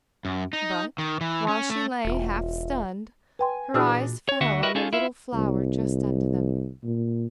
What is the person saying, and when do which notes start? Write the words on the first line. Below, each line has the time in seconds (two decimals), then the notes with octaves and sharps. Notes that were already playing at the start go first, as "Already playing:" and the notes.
But while she lay half-stunned, her eyes fell on a little flower just under them.
0.25 F#2
0.53 D#4
0.98 D#3
1.21 E3
1.48 C#4
1.70 A3
2.05 E1 F4 E5
3.39 B4 G5 G#5 C6
3.74 A#2 E3 D4 F#4 G#4 E6 F6
4.29 C#5
4.41 D2 D3 F#4 E5 F#5
4.63 E4 F#4 A#4 B4 D#5 E5
4.75 C#4 D#4 F4 G#4 A4
4.93 E4 F4 E5
5.34 C2
6.83 A#2